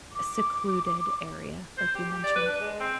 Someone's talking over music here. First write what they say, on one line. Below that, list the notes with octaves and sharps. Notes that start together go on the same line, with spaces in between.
secluded area like you mentioned.
D6
C5
G4
G4
D5
B4
D4
G#3
C4